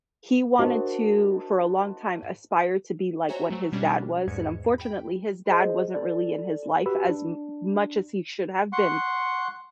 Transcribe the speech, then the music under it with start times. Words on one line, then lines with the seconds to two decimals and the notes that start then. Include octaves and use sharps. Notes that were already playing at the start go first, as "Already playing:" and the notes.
he wanted to, for a long time, aspire to be like what his dad was, and unfortunately his dad wasn't really in his life as m much as he should have been.
0.59 D4 F#4 A#4 C5 D#5 A5
3.29 F#4 C5 C#5 E5 G#5 A#5
3.50 F#3 A3
3.72 B2 G3 C#4 D4
4.27 E2 G#2 G#6 C#7
4.78 G5 B5
5.50 G#4 C5 D#5
5.94 A4 D5
6.86 F#4 G4 B4 B5 E6
7.09 D4
8.73 F#5 C6 C#6